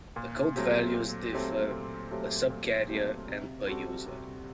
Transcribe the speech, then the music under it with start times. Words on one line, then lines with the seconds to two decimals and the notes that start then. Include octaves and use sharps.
The code values differ per subcarrier and per user.
0.16 A#2
0.56 F#3 A3 C4 G4
0.94 A#2
1.33 F#3 A3 C4 G4
1.72 A#2
2.11 F#3 A3 C4 G4
2.50 A#2
2.89 F#3 A3 C4 G4
3.28 C3
3.67 G3 C4 F#4 A4
4.06 C3